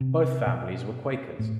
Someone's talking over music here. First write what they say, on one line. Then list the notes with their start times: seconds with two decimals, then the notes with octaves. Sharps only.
Both families were Quakers.
0.01 C3
0.46 B2
1.39 A2